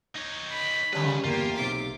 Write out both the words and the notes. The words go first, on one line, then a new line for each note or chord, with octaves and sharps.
Oh, no.
D#4 C#5
B5
G3 C#4 B4 C#5
G1 E2 A#3 F4 G4
B1 C3 D6 B6